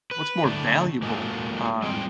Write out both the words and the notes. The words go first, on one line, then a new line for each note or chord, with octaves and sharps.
what's more valuable, um
B4
A2 D3 A3 D4 D5
G#3 A#3 D#4 F4 F#4 A4
G3 A3 C4 F4 G#4 G5